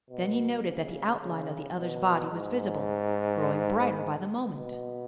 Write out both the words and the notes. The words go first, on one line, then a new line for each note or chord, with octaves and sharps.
Then he noted that the outline of the other's body was visible, growing brighter by the moment.
B2
C#3
C#3
B2
G#2
B2